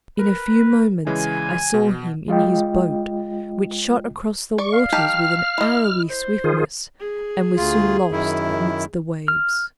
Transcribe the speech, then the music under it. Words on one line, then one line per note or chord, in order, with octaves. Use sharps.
In a few moments I saw him in his boat, which shot across the waters with an arrowy swiftness and was soon lost amidst the waves.
A#4 B4
C#3 E3 G#3 G#5
B2
G#3 F4 D#5 G5
D5 C#6
F5
D#3 G4 A5 F6
E4 D#5
C5
D#3 F4 G#4
G#4
D2 F4
F#2 D#3 E4
F6